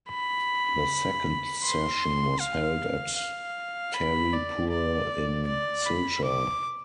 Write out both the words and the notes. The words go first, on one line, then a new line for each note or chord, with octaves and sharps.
The second session was held at Tarepur in Silchar.
B5
C6
F5
F5
B5
D5
D5
D5
B5
D6